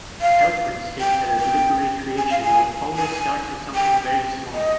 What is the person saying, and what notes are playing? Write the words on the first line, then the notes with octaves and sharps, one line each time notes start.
Helprin states that his literary creation "always starts with something very small".
F5
G5
G5
G#5
F5
G#5
G#5
G5
D#5